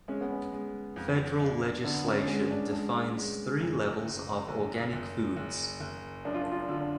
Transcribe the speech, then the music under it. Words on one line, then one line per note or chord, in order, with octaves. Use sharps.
Federal legislation defines three levels of organic foods.
G#3 C#4
B3
C#4
G#3
F2
D4
D3 B3
C#4
G#3 C#4
D4
G#3 D4
G#3
F#1
F#1
F#1
F#1
F#1
F#1
F#2 D4
F4
D4
F4
D4
D3 F4
D4